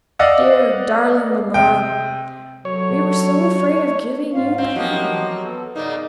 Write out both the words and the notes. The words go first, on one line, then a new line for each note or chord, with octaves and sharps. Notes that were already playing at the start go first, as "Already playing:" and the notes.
'Dear, darling mamma! we were so afraid of giving you pain.
D5 D#5 F5 F#5 E6
C3 G5
F#3 A4 C#5
G#2 C#4 F4 F5
C4
F3 F#3 A#3 G4 D#5 F#5
B3 A4
G#2 C#3 A#3 D#4 D5 D#5